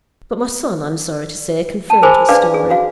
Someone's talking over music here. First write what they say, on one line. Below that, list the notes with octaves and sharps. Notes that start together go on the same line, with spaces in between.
But my son, I am sorry to say, confirmed her story.
A5
G#4 A#4 C5 G#5 B5 D6
D4 B4 D5 F5 D6
G#4
F#4 F5